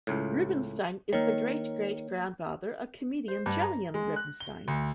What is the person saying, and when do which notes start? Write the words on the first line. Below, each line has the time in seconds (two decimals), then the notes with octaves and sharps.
Rubinstein is the great great grandfather of comedian Jolyon Rubinstein.
0.07 C#2 A2
1.13 D#3 A#3 C#5
3.28 C5
3.46 G2
3.61 A#5
3.94 G#3
4.16 F#6
4.40 G7
4.68 D2